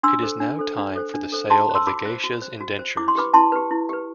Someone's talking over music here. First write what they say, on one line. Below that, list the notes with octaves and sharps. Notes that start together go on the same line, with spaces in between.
It is now time for the sale of the geishas' indentures.
D4 C6 E6
A4 C5
D4
A4 C5
D4
A4 C5
D4
A4 C5
F#4 A5 C6
C5
C6 E6
F#4 B5 D6
C5
F#4
C5
F#4
C5
E4 D6
C6
G4 B4 B5 D6
E4 A5 C6
G4 B4
E4
G4 B4